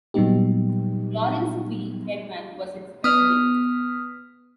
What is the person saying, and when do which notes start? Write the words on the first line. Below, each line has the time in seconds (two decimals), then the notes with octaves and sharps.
Lawrence V. Redman was its president.
0.14 A#2 F#3 G3 B3 D#4 G4
3.04 B3 D#6 F6